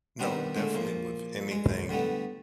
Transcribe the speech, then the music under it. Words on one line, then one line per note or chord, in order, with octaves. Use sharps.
No, definitely with anything,
D#3 G3 B3 C4 D4
D3 G#3 A3
A#2 F3
G#3
D3 G3 A3 B3